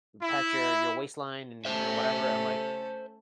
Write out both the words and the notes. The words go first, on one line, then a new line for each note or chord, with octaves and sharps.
pat your your waistline and and whatever." I'm like
E4
A3 C#4 A4 C5 E5